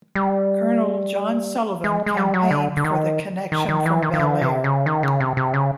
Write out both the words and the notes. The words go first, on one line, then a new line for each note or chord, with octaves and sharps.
Colonel John Sullivan campaigned for the connection from Bellaire.
G3
G#3
G#3
G3
F#3
D3
D3
D#3
D#3
D#3
E3
D#3
D#3
D3
C3
C#3
D#3
C#3
C3
C3
C#3